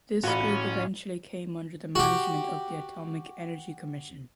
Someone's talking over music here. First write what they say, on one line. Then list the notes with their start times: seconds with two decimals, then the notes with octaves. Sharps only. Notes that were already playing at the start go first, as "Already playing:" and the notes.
This group eventually came under the management of the Atomic Energy Commission.
0.24 A1 A2 C#4 F4 F#4 B5
1.95 F#4 G4